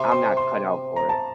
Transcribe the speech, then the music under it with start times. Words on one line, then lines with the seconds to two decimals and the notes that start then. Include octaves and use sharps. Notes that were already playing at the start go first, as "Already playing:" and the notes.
I'm not cut out for it.
Already playing: C3 C6
0.11 C6
0.37 C6
0.96 A#5
1.09 A5